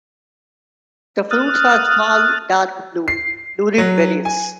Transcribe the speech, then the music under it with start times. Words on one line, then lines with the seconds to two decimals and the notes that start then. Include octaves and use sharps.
The fruits are small dark blue, lurid berries.
1.31 D#6 F6 F#6 A6
3.08 C7
3.78 F#3
4.25 G#5